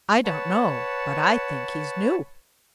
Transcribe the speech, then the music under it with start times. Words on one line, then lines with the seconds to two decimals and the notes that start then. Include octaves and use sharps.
"I don't know, but I think he's new."
0.25 B4 C#5 F#5 A5